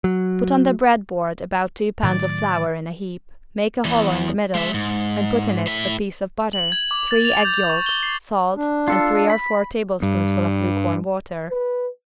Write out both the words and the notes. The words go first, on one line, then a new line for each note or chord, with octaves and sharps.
Put on the bread board about two pounds of flour in a heap; make a hollow in the middle and put in it a piece of butter, three egg-yolks, salt and three or four tablespoonfuls of lukewarm water.
F#3
A2 D#3 F#3 D5
E2 E3
G#3 E5
G#2
A2 E5
F#7
G#6
D6
A6
F7
G6
C#6
G7
C7
D4
F4 A4
B5
G2
B4